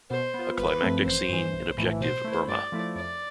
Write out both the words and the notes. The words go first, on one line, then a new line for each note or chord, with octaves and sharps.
A climactic scene in Objective, Burma!
B2 C5
B3
F4
G1 B4
G2 F3 A3 C4
A1 C5
G2 E3
B1
A2 E3 A3 E4
B2 C5
A3 E4
G2 D5
F3 A3 E4
F2 D5